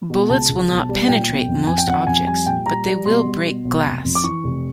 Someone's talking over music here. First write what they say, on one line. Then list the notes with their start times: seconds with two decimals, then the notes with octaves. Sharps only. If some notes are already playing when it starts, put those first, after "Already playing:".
Bullets will not penetrate most objects, but they will break glass.
0.10 B2
0.30 C#2 A5
0.49 C#2
0.70 B1
0.89 G3
1.08 A#2 G5
1.28 B1
1.48 F2
1.67 F2 G#5
1.78 G5
1.87 F2 F#5
2.07 F2 G#5
2.27 G3 G#5
2.46 A#2 G5
2.66 G3 A#5
2.86 G3
3.06 B2 C6
3.26 G3
3.46 B2
3.65 B1
3.84 F1
4.05 F2
4.15 D6
4.24 E3 C#6
4.44 F1